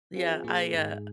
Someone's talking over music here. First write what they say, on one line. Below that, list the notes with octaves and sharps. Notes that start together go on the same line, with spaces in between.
Yeah. I, uh,
F3 C4 F4 G#4
A#2 A#3 F4 G#4
G#2 G#3 D#4 G#4